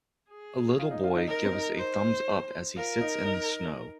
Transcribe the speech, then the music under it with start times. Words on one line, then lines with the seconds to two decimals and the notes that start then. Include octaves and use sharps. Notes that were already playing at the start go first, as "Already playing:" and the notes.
A little boy gives a thumbs up as he sits in the snow.
0.30 G#4
0.79 F4
0.91 D#4
1.04 F4
1.15 D#4
1.28 D#4 A#4
1.45 C4
1.53 D#4
1.78 C5
2.77 F4 A#4
3.01 D#4
3.26 D#4